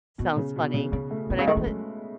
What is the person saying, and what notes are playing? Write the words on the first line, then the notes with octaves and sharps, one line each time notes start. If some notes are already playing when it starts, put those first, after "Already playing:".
sounds funny, but I put
B2 C#4
C#3
B2
C#3
C#3 C#4
A3
B2 B3
C#3
G#3
D#3 A3
E3
F#3